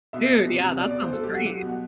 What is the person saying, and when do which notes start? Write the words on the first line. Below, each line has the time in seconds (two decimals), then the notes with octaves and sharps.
Dude, yeah, that sounds great.
0.13 B2 E5
0.31 B2
0.47 C3
0.63 C3
0.80 B2 D5
0.91 D5
0.96 B2
1.02 C5
1.13 B2 A4
1.23 G4
1.29 F#3
1.35 F#4
1.46 F#3 G4
1.57 F#4
1.62 B2
1.69 F#4